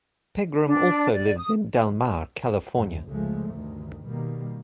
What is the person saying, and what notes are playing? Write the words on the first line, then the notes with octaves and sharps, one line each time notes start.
Pegram also lives in Del Mar, California.
D4
D5
D#6
F#1 F#2
F1 C#2 F3 G#3 A3
D2 G2 D#3
B2 D#3 G3 A#3